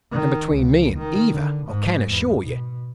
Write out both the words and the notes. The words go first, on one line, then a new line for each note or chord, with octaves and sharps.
"And between me and Eva, I can assure you."
D#3
C#2
D#3
D3
G#2
E2
B2